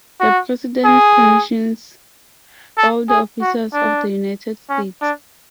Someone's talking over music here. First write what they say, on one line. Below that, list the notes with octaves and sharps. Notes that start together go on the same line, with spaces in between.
The President commissions all the Officers of the United States.
F#4
G#4
A4
G#4
F#4
D4
C#4
D4